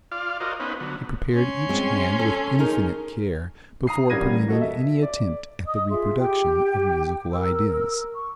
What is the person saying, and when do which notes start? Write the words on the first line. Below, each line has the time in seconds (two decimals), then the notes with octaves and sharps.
He prepared each hand with infinite care before permitting any attempt at the reproduction of musical ideas.
0.12 F4 D5 F5
0.40 F4 F#4 A#4 C5 D5 D#5
0.60 B3 C#4 D#4 B4 C5
0.80 D3 F#3 B3
1.33 C#4 C6
1.69 G#3 C4
2.19 A4
2.59 D#4 G#4 A#4
3.87 A#5 D#6 C7
4.10 A1 G3 A#4 G#6 A#6 D#7
4.48 F#4 A4 D#5
4.61 E5
5.02 D5
5.66 D#5 D#6
5.90 F4 G#4 E5 C6
6.19 G4 G5
7.33 A#4 E6
8.15 C#6